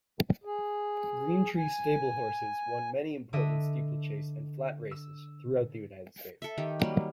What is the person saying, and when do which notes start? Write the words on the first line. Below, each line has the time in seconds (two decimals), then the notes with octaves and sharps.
Greentree Stable horses won many important steeplechase and flat races throughout the United States.
0.44 G#4
1.57 G#5
3.33 D3 D4 A4 D#5 E5
4.91 E6
6.42 A4 E5
6.58 D#3 G4
6.80 F#3 G3 A#3